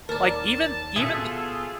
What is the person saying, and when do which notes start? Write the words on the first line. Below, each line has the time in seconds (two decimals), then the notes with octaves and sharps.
like even, even th
0.09 D#2 A#4 D5 A5
0.96 B2 F4 G#4 A4 E5